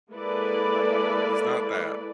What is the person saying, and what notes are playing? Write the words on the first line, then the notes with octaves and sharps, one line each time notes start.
He's not that
G#3 A#3 E4 A4 B4 D5